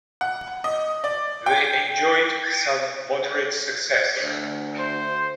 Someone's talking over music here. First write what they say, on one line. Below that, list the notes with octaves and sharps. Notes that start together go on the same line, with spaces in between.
They enjoyed some moderate success.
F#5
D#5
D5
G5
D2
C5